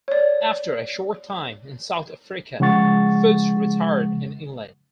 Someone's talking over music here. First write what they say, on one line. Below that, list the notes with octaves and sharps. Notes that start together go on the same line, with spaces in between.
After a short time in South Africa, Foot retired in England.
C#5 D5
C#3 F3 G#3 F#5 C#6 A6